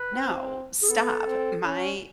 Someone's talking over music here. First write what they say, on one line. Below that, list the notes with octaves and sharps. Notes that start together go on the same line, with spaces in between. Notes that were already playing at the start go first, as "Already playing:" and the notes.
No. Stop. My
Already playing: B4
C4
G#4
B3 A4
C4
C#4